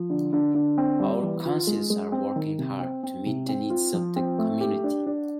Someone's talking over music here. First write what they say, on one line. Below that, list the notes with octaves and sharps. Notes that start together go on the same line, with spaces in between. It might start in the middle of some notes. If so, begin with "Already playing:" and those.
Our Councils are working hard to meet the needs of the community.
Already playing: F3
D3
D3
D3
C4
G3
E3
F4
G#3
G#3
C4
D#3
C3
C4
C4
C3
C4
F4
F3
C4
A3
G4
D4
D4